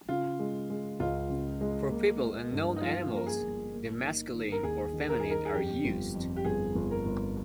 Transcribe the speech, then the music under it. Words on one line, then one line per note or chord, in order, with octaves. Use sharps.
For people and known animals the masculine or feminine are used.
C#3 F4
G#3
G#3
C#2 F4
C#3
G#3
A#3
A#3
G2
D#4
F3 F4
A#3 A#4
G#4
G1
A#3
D#4
D#3
A#4
D#2 G#4
D#3
A#4
D#4 G#4
A#4
G#4
F2 G4
G1
F2
G4
G1 G#4
G1
A#4
G1